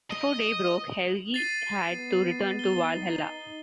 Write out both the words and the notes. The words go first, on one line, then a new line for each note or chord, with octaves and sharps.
Before day broke, Helgi had to return to Valhalla.
D#5
A6 C7 D#7
B3
G7
D#4